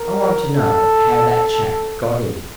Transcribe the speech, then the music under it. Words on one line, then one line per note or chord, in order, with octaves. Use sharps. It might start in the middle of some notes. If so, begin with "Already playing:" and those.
I want to know how that chap got in.
Already playing: A#4
A4